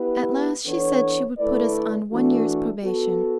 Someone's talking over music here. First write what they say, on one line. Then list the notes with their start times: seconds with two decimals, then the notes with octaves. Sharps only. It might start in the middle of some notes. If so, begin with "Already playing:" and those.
At last she said she would put us on one year's probation.
Already playing: B3 E4 G4 B4
0.65 E3 B3 D4 A4 C#5
1.38 D3 A3 E4 B4 D5
2.10 E3 A3 D4 F#4
2.82 B3 F#4 A4